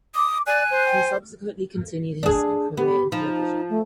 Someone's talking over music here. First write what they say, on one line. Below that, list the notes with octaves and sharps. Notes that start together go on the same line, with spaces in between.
He subsequently continued his career in television.
D6 D#6
D5 G#5 F#6
C5
G5
D4 G#4
B3 G4
F3 D#4
A3